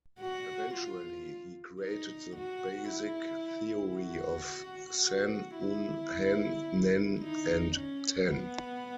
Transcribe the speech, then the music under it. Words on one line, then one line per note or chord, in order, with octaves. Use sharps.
Eventually he created the basic theory of "Sen, Un, Hen, Nen" and "Ten".
F#4
F4
D#4
F#4
E4
F#4
F#4
E4
D#4
C#4
B3